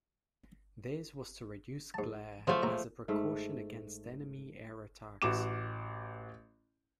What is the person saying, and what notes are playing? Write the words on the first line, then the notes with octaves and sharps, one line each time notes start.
This was to reduce glare, as a precaution against enemy air attacks.
G#2 A5
C#3 F3 F#3 A3
A#1 A2 A#5
G#2 A3
A1 F#4 D6 E7